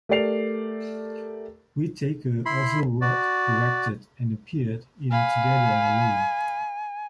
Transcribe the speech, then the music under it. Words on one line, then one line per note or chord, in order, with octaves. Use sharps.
Whitaker also wrote, directed and appeared in "Together and Alone".
A3 G4 A#4 D5 C7 F7
E4 B5 C6
F#4 D5
F5 G#5 B5